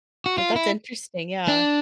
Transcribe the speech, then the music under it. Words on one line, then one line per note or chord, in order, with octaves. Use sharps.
But that's interesting, yeah.
F#4
F4
E4
D4